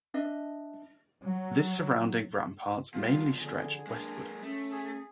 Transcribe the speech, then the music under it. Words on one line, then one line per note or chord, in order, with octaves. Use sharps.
This surrounding rampart mainly stretched westward.
D4 D#5 E5
F#3
B2 F3 G3 F4
D3 G#4
G#3 A#3 D4
A3 C#4
G#4